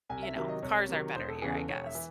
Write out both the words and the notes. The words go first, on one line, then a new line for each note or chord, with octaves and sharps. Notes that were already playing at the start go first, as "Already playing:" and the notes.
you know cars are better here, I guess.
C2 G#5
E5
C3 D#3 F#3 E5
D#5
C2 C#5
C3 D#3 F#3
E1 C5
A4
E2 C#3 E3 G#4
A4
E1 C#5
E5
E3